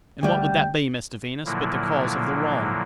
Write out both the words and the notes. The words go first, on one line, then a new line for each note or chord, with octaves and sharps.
And what would that be, Mr Venus, but the cause of the wrong?'
D2 G3 G5
A#2 D3 F3 F#3 A#3 E4